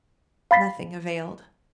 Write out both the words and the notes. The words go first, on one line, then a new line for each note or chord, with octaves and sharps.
Nothing availed.
F5 B5 A6 B6 C7